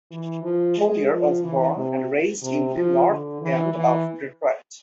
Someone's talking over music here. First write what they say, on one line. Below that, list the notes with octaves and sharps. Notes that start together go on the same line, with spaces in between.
Hollier was born and raised in the North End of Detroit.
E3
F3
G#3
F3
E3
C3
C3
F3
D3
E3
E3